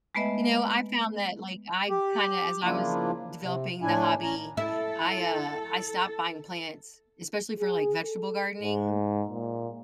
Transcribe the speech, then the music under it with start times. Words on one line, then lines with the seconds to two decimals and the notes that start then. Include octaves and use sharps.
You know, I've found that, like, I kinda as I was developing the hobby, I, uh, I stopped buying plants, especially for, like, vegetable gardening,
0.15 G#3 A3 B3 B4 D#5 E5
1.89 G4
2.64 C#3 F3 A#3 D4 E4 F4
3.42 C3
3.82 A2 D4 E4 G#5
4.23 C#4 A#5
4.57 E4 A4
7.59 G#4
8.03 A4
8.62 G#2
9.29 A#2